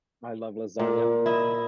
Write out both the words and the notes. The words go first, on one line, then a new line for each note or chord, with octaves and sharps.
I love lasagna,
A#2
E4 D#5 E5